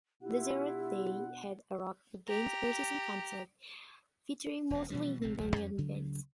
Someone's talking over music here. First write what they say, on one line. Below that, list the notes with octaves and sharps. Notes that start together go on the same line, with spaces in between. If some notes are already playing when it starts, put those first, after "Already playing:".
The "zeroeth day" had a Rock Against Racism concert, featuring mostly Hungarian bands.
B2 D4 E4 F4 G4 F#5
G4 A#5
E1 B2
B2 E3 F3 G3
A#1 C3 A3 C4
E1 C#2 F3 G3
F2 C#4
D2 C#3 F#3